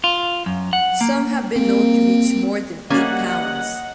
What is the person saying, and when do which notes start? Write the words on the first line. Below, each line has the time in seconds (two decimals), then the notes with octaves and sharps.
Some have been known to reach more than eight pounds.
0.04 F4
0.46 F#2
0.73 F#5
1.01 A#3
1.56 A#3 C4
2.90 G3 A#3 C#4 D#5 F#5